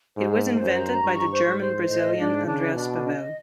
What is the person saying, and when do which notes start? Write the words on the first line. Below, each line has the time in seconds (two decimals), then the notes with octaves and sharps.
It was invented by the German-Brazilian Andreas Pavel.
0.17 G#2 C5
0.45 C5
0.60 F#2
0.74 A#5
1.03 G2 C#6
1.32 C5
1.46 G#2
1.60 C5
1.89 A2 D#5
2.18 G#2 D4
2.46 C#3 D4
2.75 B2 D4
3.04 D#5